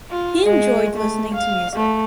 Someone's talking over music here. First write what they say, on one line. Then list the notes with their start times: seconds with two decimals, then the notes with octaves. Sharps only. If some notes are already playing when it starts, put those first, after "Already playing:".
He enjoyed listening to music.
0.11 F4
0.46 G#3
0.97 A3
1.34 F5
1.76 A3